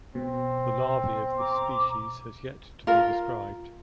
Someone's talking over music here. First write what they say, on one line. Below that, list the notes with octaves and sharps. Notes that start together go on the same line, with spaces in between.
The larvae of this species has yet to be described.
B2 C4
A#5 D6
F4 A#4